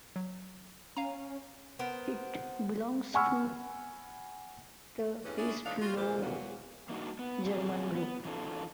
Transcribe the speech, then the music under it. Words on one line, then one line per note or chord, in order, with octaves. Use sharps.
It belongs to the East Low German group.
F#3
C#4 F5 G#5 A#5
B3 A#4 C5
F#5 G#5 B5 C#6 E6 F6
E2 G2 E3 C#4 G#4 B4
C#4 D4 E4 G#4 C#5
G#2 E3 D4 D#4 C#5 F5
F4 F#4
F2 A#2 D3 E3 G4 C5
E2 B2 F#3 A#3 B3 F#4
G3 A#3 D4 D#4 F#4
B3
A#2 G3 C4 F4 G#4
B3
E3 F#3 C#4 D#4 F4 A4